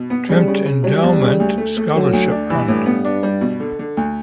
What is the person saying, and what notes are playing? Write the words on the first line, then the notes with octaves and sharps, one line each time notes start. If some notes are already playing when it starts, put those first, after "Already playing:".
Trimpe Endowment Scholarship Fund.
Already playing: B2
B3
C#3 G3
C#3
C#3
F#3 G3
E2
C#3
D2
A3
A3
D3 F#3
D2
D4
G2 E3
A2
B3
D4
G3
B2
D3
D3
D2